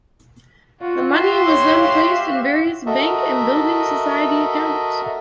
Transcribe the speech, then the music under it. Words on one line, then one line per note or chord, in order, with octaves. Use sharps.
The money was then placed in various bank and building society accounts.
F4 F#4
F#4 G4 E5 C6
C#5
F5
F#4 A4 A#4 D#5 E5